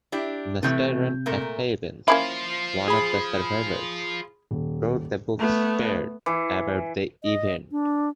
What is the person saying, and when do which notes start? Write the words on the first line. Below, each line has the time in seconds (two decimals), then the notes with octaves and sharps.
Nastaran Akhavan, one of the survivors, wrote the book "Spared" about the event.
0.12 D4 E4 G4
0.63 A2 C3 E3 A3 G6
1.26 A#2 A3 A#4
2.08 A#3 C#4 E4 F4 C5
2.88 G#4 B5
4.51 D#1
5.39 A3 B3
6.26 E3
7.24 D#5
7.71 D4